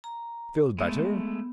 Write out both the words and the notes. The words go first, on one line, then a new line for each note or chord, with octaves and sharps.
Feel better.
A#5
G#3 A3 B3